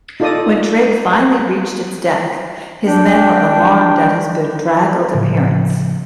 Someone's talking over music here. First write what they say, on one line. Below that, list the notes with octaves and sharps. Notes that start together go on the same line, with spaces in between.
When Drake finally reached its deck, his men were alarmed at his bedraggled appearance.
D#4 F4 A4 D5 D#5 D#6
D4 G5
A2 C#3 F3